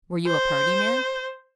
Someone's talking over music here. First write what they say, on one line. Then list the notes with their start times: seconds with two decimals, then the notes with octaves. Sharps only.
Were you a party man?
0.26 C5